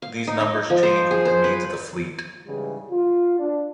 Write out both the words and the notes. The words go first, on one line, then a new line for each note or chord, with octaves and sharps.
These numbers change with the needs of the fleet.
F5
D#4
D#4
F3
C5
G#4
C5
B4
G#2 C#3 E3 G3
F4
D4